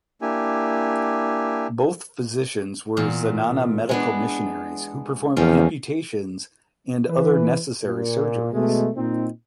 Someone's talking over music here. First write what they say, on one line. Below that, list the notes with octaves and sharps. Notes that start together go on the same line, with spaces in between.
Both physicians were Zenana medical missionaries who performed amputations and other necessary surgeries.
A#3 D4 E4 G4 G#5
E2 A#2
G#3 B3 D4
E2 F3 C4 C#4
E3 B4
A#2
B2 G#3 A3
A#2 C4 D#4